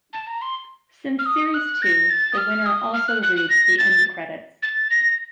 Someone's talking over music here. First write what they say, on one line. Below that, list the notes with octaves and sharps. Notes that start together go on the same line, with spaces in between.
Since series two, the winner also reads the end credits.
A5
A#5
C6
F6
D#6
F#6
A#6
A6
D#6
F6
D#6
F6
F#6
F#6
F#6
A#6
A6
A6
A#6